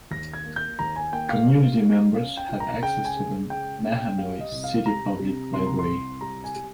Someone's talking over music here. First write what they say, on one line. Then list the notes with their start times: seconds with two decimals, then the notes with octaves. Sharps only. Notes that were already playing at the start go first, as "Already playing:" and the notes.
Community members have access to the Mahanoy City Public Library.
0.11 D#2 A#6
0.34 G#6
0.45 A#3
0.56 G6
0.79 D#2 A#5
0.96 G#5
1.12 A#3 G5
1.29 F5
1.47 G3
1.80 G3
2.14 C#4 F5
2.37 G5
2.48 F4
2.60 A#5
2.82 C#3 G5
3.05 G#5
3.17 G#3
3.50 C#3 G5
3.85 C#4
3.95 G5
4.18 G3 F5
4.40 D#5
4.52 C2
4.64 F5
4.86 G3 A#5
5.19 C3
5.53 C2 C6
5.67 A#5
5.79 C6
5.87 C2
6.21 G3 A#5
6.44 G#5
6.56 G3